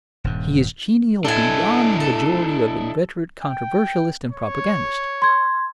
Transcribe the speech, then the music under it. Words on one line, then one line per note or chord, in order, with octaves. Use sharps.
He is genial beyond the majority of inveterate controversialists and propagandists.
D#1 G2
D4 E4 A4 G#5
A4
G5
C#5
C6 G#6